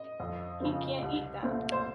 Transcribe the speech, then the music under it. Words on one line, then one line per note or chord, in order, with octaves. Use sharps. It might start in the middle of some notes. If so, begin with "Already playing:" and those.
He can’t eat that.
Already playing: D#5
F2
C#3 F3 C4
C2
A#2 A3 C4
C5